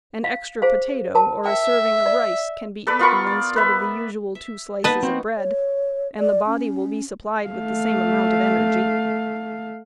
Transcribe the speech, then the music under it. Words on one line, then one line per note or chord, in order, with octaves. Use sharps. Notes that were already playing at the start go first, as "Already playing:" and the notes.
An extra potato or a serving of rice can be eaten instead of the usual two slices of bread and the body will be supplied with the same amount of energy.
F5
G#4 C5 F5
A#4 A5
E5 G5
D5
A4 B4 D5 B5
B3 F4 A#4 C#6
D5
B4 E5
E5
A#3 B3 D#4 B4 D#5 A5
C4 F#4 C5
C#5
D5
C#4
A3 F5